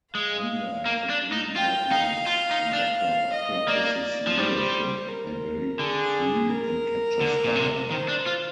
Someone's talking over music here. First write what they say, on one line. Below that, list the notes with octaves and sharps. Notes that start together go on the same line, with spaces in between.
Under the Green Goblin's and Doctor Octopus's leadership, they break free and capture Spider-Man.
G#3 F5
A#3
D4
D#4
F4 G5
D#4 F5
F4
D#4
D4
F5
D#5
A#3 D5
F3
G3 C5
A#4
D3 G#4
A#4
D3
A#2
C3
D#3 C5
D4
F4